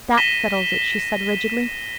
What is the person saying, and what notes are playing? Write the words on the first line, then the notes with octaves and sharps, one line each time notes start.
"That settles it," she said rigidly.
A#6 B6 D#7 E7 G7